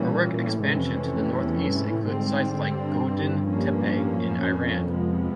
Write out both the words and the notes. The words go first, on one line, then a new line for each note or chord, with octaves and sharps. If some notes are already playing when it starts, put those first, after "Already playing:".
Uruk expansion to the northeast included sites like Godin Tepe in Iran.
Already playing: A#2 E3 G3 A#3 C#4
A#2
A2
G#2 C3 E3 A3 C#4
F2
F#2
E2
F2
G2
G#2
A2
G#2 D3 G3 C4
G2
A2 F3 A#3 C#4
F#2
F#2
F#2
F2
C3 F3 G#3 B3